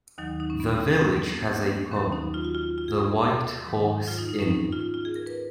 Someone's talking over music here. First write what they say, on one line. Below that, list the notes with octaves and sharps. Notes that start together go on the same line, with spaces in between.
The village has a pub, the "White Horse Inn".
D#2 D#3 F#3 D#4
D#4
C#4
B3
C#4
C#4
B3
A#3
B3
D#2 D#3 F#3 C#4
D#4
F4
F#4
F4
F4
G#4
A#4
G#4
G#2 D#3 F#3
F4
D#4
D#4
C#4
D#4
F4
F4
G#4
A#4
B4